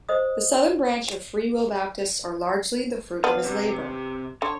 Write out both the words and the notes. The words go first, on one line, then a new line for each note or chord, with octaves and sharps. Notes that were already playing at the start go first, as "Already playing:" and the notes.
The southern branch of Free Will Baptists are largely the fruit of his labor.
C5 D#5 D#6
B3 D4 F5
C3
D3 C#5